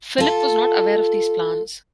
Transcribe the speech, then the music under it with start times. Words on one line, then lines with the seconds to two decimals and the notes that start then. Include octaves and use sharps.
Philip was not aware of these plans.
0.18 F4 A4